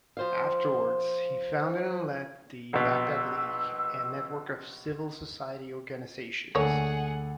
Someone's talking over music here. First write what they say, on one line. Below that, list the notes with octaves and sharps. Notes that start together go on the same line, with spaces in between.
Afterwards he founded and led the "Baghdad League", a network of civil society organisations.
F3 C5 F5
A#1 B2 E6
D2 A#3 G#4 A4 C#5 F#5